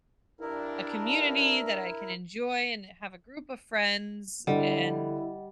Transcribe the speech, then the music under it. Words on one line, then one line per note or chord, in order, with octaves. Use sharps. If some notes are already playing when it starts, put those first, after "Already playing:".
a community that I can enjoy and have a group of friends and
G2 D4 E4 A#4
D3 G3 E4 D#5 F#5